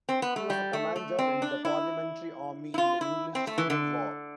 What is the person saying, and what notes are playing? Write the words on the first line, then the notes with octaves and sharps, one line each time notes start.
He was a commander in the Parliamentary army in the English Civil War.
C4
B3
A3
G3
A3
A3
C4
D4
E4
E4
F4
E4
C4
A3
E3
D3